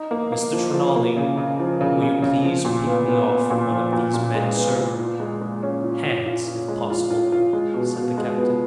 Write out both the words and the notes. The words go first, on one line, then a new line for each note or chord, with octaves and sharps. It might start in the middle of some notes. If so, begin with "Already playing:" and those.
"Mr. Trelawney, will you please pick me off one of these men, sir? Hands, if possible," said the captain.
Already playing: D#4
A#3
A#3
F3
F3
A#3
C#3
C#3
F3
C#3
C#3
C#3
F3
A#2
B3
B3
B3
A#2
F3
A#2
A#2
G#3
B3
A#2
F4
G#3
G#3
C#4
F4
F4
F4
F4
G#3
F4
F4
F4
G#3
B2
B2
G#3
B3